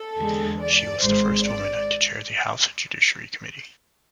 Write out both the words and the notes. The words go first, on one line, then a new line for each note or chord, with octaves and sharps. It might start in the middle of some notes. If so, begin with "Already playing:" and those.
She was the first woman to chair the House Judiciary Committee.
Already playing: A4
E2 D3 G#3
D5
G#1 G#2 G#3 C5
D5